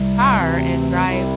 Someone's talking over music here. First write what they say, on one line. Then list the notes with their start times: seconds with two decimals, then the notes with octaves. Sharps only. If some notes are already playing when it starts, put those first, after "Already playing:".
car and drive
Already playing: C2 C3 G3
0.37 D2 C3 E3 C4
1.05 C2 C3 G3 C4 E4